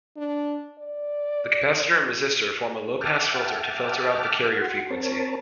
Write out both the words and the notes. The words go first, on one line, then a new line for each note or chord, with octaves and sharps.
The capacitor and resistor form a low-pass filter to filter out the carrier frequency.
D4
D5
E5 F#5 G5 A5 D6 F6
F#4 F#5 C6
C4 A#4 C#5 A5